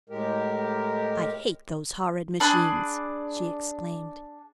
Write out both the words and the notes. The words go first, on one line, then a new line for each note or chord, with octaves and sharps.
"I hate those horrid machines!" she exclaimed.
A2 G#3 G4 A#4
D4 G#4 B5 F#6